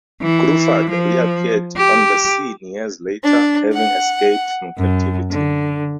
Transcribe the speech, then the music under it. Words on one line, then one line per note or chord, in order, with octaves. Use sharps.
Gruffudd reappeared on the scene years later, having escaped from captivity.
E3
F3
G4
D4
F#5
F#2
D3